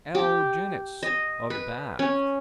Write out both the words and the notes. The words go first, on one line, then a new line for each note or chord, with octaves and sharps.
L. Jenyns, of Bath.
G4
D#5
B4
C#4